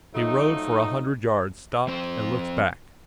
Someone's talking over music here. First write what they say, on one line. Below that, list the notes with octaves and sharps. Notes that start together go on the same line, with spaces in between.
He rode for a hundred yards, stopped and looked back.
F3 F#3 A3 D#4
F3 C4 C5